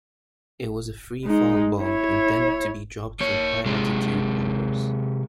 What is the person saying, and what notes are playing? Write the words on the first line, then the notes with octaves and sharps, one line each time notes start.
It was a free-fall bomb intended to be dropped from high-altitude bombers.
G#3 D#4
E4 C#5
A#3 C#5
C3 G#3